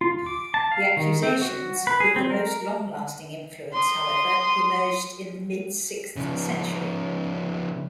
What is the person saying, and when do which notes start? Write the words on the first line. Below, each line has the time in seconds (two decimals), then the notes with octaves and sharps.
The accusations with the most long-lasting influence, however, emerged in the mid-sixth century.
0.01 F4
0.26 D6
0.54 A5
0.72 F5
0.97 D#3
1.23 C4
1.42 F#4
1.87 B4
2.00 G#4
2.16 C4
2.30 A#4
3.73 C6 D#6
6.16 C#3 F3